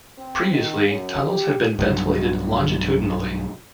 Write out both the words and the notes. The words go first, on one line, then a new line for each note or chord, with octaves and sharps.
Previously, tunnels had been ventilated longitudinally.
C4
D#3
F#2
G4
B1 G2 B2 F#3